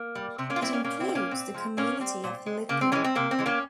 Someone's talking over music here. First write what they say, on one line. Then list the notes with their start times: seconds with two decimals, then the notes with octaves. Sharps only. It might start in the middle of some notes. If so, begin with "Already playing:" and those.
It includes the community of Lithia.
Already playing: A#3
0.15 G3
0.38 C3 C4
0.50 A#3 C#4
0.56 F4
0.62 G3 C4 E4
0.73 A#3 C#4
0.84 A#2 A#3 C#4
1.00 C4 E4
1.08 G3
1.15 A#3 C#4
1.31 A#2 C4
1.54 F3 G#3
1.77 A#2 A#3 C#4
2.00 G3 C4
2.24 A#2
2.46 G#3
2.69 C#3 A#3
2.81 C4
2.92 E3 G#3 A#3 C#4
3.04 C4
3.15 C3 A#3
3.31 C4
3.39 E3 G#3
3.46 A#3 C#4